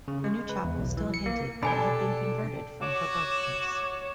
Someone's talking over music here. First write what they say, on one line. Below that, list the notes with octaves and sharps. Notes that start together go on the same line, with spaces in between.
The new chapel still hinted that it had been converted from her birthplace.
C#3
G#3
B4
E2
B1
E3
C#7
A#3
B2 D4 G4 A4 D5 G#5 B5
F#4 C#5 D6 E7